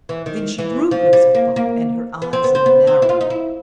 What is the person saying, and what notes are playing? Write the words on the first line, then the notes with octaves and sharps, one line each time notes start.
Then she drew herself up and her eyes narrowed.
E3
D#3
E3
F3
G3
A#3
A#3
B3
C4
B3
C4
B3
C4
E4
F4
D#4
E4